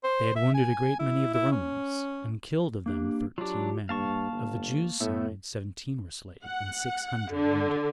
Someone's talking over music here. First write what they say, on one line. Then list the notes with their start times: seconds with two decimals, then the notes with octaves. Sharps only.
They had wounded a great many of the Romans, and killed of them thirteen men; of the Jews' side seventeen were slain, and six hundred wounded.
0.04 C5
0.36 E5
0.54 G#5
0.99 E4
1.34 E4
1.52 C#4
2.86 A#3 D4 G4
3.38 F#3 D4 F4 G4
3.89 G2 A#3 F5 A5 C#6
4.32 G1
5.01 A2 A3 B3 E5
6.45 F#5
7.33 D3